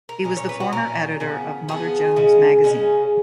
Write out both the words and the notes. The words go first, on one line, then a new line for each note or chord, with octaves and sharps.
He was the former editor of Mother Jones Magazine.
A#4
A#2 F#3 C#4 A#4
C#5
B4
F#4
A#2 F#3 C#4 A#4
C#3 F3 B3
C#3 F3 B3 G#4
C#3 G#3 C#4
C#3 G#3 C#4